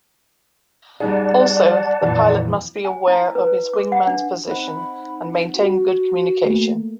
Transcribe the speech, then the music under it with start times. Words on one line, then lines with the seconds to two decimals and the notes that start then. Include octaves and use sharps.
Also, the pilot must be aware of his wingman's position, and maintain good communication.
1.00 G3 D#4 G#4 D5 F#5 A5
2.02 F2 A#2 E3
2.85 G#5
3.08 E4
3.35 B4
3.73 D6
3.92 F#5
4.07 D4
4.48 C4 D#4 F#5 B5
5.55 F#4
6.45 A3 A#3